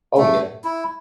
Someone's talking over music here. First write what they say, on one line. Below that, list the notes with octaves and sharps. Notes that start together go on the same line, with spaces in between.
Oh, yeah.
A3
E4